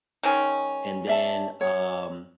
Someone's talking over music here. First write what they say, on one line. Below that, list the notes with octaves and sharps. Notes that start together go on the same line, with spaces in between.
and then, um,
D#3 G#3 C#4
D5 E5 A5
C#5